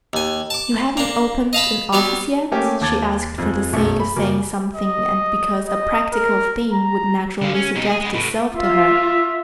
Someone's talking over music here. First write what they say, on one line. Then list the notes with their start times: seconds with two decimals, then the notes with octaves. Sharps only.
"You haven't opened an office yet?" she asked for the sake of saying something, and because a practical thing would naturally suggest itself to her.
0.13 D#2 G#5
0.50 A5 D6
0.97 A#3 D4
1.53 D#5 F5 A5 B5
1.93 F#3 G3 B3 D5
2.52 A3 A#3 C#4 G4 G#5
2.81 D#2 A5 D6 G#6 A6 G7
3.38 F2 G#3
3.73 B1 F#2 A3
4.00 B5
4.16 F#2 C#3 F#3 A#3
4.76 D#5
5.68 D#5
6.13 A#4
6.73 A#5
7.42 D3 F5
7.54 C#4
7.75 B2 D#4
7.87 G#4
8.01 G#3 B3
8.14 A2 B3
8.56 F4 E5